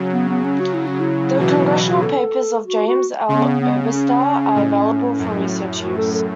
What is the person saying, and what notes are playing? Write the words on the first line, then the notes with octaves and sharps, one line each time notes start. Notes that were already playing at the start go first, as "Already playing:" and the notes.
The Congressional Papers of James L. Oberstar are available for research use.
Already playing: C#3 F#3
B3
B3
C#4
F#4
E4
C#4
E4
B2 E3 F#4
F#4
A4
F#4
F#4
C#3 B3
B3
B3
C#4
A2
F#2
F#4
A4
A4